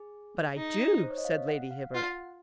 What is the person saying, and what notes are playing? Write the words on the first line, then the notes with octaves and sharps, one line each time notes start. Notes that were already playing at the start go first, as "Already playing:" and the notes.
"But I do," said Lady Hibbert.
Already playing: G#4
D#4
C5
C#5
D#5
F5
F#5
F5
F4 F#5